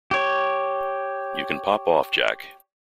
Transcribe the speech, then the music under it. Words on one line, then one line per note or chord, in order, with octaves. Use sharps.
You can pop off, Jack.
G4 C#5